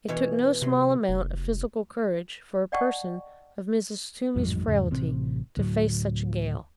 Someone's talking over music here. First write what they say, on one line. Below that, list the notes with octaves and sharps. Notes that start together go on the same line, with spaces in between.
It took no small amount of physical courage for a person of Mrs. Toomey's frailty to face such a gale.
B2 E3 C#5
C3 F#3 C6
F1
D5 D#5 F#5 G5 A5 C#6
A1 F2 G#2 F#3
E2 G#2 C#3
A1 C3 C4
D2 A2 F#3